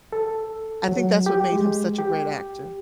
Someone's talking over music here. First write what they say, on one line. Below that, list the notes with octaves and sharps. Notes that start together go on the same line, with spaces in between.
I think that's what made him such a great actor.
A4
F#3
G4
G#3
G4